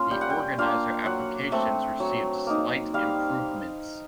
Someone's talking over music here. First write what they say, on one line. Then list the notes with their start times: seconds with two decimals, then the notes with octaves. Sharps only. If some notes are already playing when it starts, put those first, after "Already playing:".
The organizer applications received slight improvements.
Already playing: A#3 C#4 F4 C6
0.11 G3 G5
0.21 F#5
0.30 G5
0.58 A#3 D4 F4 F5
1.05 F#3 F#5
1.52 A3 C4
2.00 F#3
2.47 A#3 D#4
2.94 G3 F5